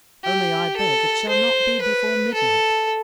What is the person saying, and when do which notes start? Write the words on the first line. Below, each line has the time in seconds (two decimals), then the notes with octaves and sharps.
"Only I beg it shall not be before midnight."
0.24 G4
0.76 A4
1.29 C5
1.81 B4
2.34 A4